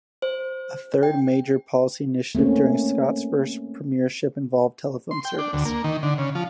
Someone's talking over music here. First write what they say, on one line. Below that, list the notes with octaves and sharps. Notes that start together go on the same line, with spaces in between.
A third major policy initiative during Scott's first premiership involved telephone service.
C5
G5
A3 A#3 C4 C#4
C6
G5
D4
D2
A#3
D#3
D3
C#3
F3